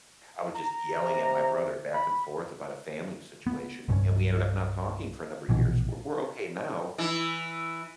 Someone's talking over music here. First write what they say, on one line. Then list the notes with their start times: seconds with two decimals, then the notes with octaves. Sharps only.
I was just yelling at my brother back and forth about a family situation, and we ended up not talking for a number years, we're we're okay now,
0.56 A#5
1.02 C3
1.94 B5
3.47 B3
3.88 C2 G2 F#3 C#4
5.49 A#1 B2 E3
6.98 E3 E4